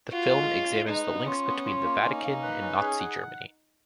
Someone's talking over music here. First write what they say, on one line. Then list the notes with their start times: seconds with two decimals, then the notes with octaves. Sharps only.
The film examines the links between the Vatican and Nazi Germany.
0.12 F4 F#4
0.31 G#3
0.50 C#4
0.69 G#3
0.88 D#4 B4
1.07 B3
1.26 C#4 F4
1.46 B3
1.65 F4
1.85 A#3
2.03 C#4 D#4
2.24 A#3
2.42 B4
2.61 C#4
2.80 G#4
3.00 F#5